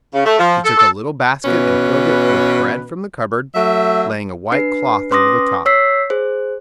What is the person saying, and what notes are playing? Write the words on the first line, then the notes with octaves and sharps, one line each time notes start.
She took a little basket and filled it with bread from the cupboard, laying a white cloth over the top.
C#3
A3
F3
A4
A4
B2 E3 C#4 B4
F#3 A3 E5
D4 B4 C7
C#4 B4 C6 D6 D#6 A#6
C#5 E6 B6 C7
G#4 C5